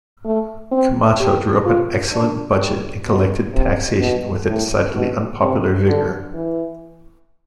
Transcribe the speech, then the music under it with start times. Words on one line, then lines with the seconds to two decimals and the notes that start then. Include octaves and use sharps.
Camacho drew up an excellent budget and collected taxation with a decidedly unpopular vigour.
0.25 A3
0.72 C4
1.19 G4
1.66 F4
2.13 D4
2.59 G3
3.07 B2
3.53 C3
4.00 B2
4.48 A2
4.94 B2
5.40 C3
5.87 D3
6.34 E3